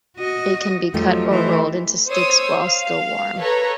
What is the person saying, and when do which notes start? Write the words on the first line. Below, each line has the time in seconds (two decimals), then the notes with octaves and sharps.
It can be cut or rolled into sticks while still warm.
0.17 F#4 D#5
0.94 F3 F#3 A3 D#4 G4
1.31 E3 C5
2.08 C5 C#5 D#6 E6
2.62 F5
3.40 A4 B4 C#5 A#5